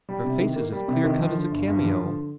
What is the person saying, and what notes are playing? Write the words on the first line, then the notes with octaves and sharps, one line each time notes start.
Her face is as clear-cut as a cameo.
G3
C3
D#3
A#3
G3
C3
D#3
F3
D3
G1
G2
F3
D3